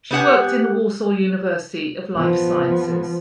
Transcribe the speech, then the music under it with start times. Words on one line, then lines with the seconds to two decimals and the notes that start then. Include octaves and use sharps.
She worked in the Warsaw University of Life Sciences.
0.11 B3 G4 F#5 G#5
2.16 F3 B3